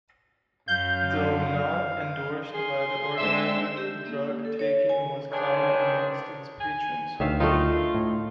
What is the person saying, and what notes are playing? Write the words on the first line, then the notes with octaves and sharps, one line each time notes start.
Though not endorsed by the organisers drug taking was common amongst its patrons.
F#2 F#3 F5 G6
G#4 C6
G#3 C4 D4 E5 E6
G4
A#3
A4
C#5
G#5
G2 D#3 D4 G#4 C5 C#5
G#5
D2 D#3 E5 F5
A3 D#4 F4
A2